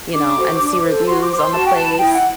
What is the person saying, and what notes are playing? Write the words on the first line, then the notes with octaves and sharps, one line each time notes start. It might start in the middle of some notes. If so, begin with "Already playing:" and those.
you know, and see reviews on the place,
D4 D6
F#4 A4 C5
D4
A4 C5
F#4 C6
D6
C5
C6
F#4 A5
G5
B4 A5
E4 G5
F#5